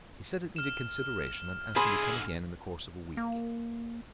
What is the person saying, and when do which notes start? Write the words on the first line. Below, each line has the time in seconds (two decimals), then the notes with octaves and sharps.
He said it needed consideration, and asked me to come again in the course of a week.
0.56 F6 E7
1.76 D3 E4 G#4 B5 C6
3.17 A#3